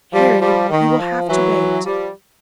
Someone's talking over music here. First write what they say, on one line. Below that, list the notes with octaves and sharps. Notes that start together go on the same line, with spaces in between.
Harry, you will have to wait.
F3 G3
F3 G3
D#3
F3
E3 F#3
F3 G3